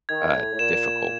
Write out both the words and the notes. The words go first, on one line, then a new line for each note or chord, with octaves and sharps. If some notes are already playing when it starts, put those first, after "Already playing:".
uh, difficult.
D#3 G#6
A2 G#6
A2
A#2 E7